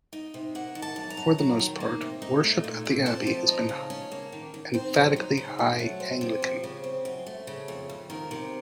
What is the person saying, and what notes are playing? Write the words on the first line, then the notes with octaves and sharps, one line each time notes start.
For the most part, worship at the Abbey has been emphatically High Anglican.
D#4
C3
A#3 F#5
D#3
A5
F#2
A#5
F#2
F#3 A#5
D#3
A#3
C3
D#4
A3
A#2
A#2
C4 A5
F3
D#4
C#3
C#4
A#3
D#3
D#3
C4 C5
F#3
D#4
C#3
A3
F#3
C4
C3
F3
C#3
C4
F#2
A3
C#3
F2
F2
D#3 A#4
C3